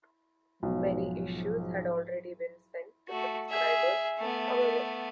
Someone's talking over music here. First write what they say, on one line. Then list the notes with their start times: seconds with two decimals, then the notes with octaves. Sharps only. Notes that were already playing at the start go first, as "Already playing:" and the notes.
Many issues had already been sent to subscribers, however.
0.63 B1 G#2 F3 F#3
3.09 A3 F#4
3.49 G#4 E5
4.18 A3 B3